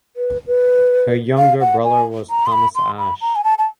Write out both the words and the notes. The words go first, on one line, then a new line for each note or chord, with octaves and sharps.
Her younger brother was Thomas Ashe.
B4
B4
F5
F#5
G#5
A#5
C6
B5
C6
B5
A#5
G#5
A5
A5